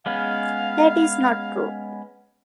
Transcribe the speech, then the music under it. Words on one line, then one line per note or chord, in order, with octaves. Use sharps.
That is not true.
G#3 B3 C#4 F5